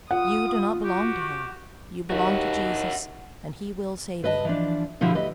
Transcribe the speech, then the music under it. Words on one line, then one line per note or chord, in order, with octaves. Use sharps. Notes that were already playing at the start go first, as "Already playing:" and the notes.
You do not belong to hell. You belong to Jesus and He will save you.
F4 F#5 D#6
F#4 G4
D#2 E4 F#4
G2 B4 D#5 A5
E3 F3 D4
B2 D3 F3 E4 G4
D2 G4 B4 D#5